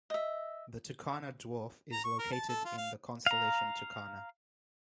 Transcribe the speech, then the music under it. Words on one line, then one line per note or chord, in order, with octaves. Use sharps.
The Tucana Dwarf is located in the constellation Tucana.
D#5 E5
A#5
C#6
A#4
A5
A4
F4
F5
F5 A#5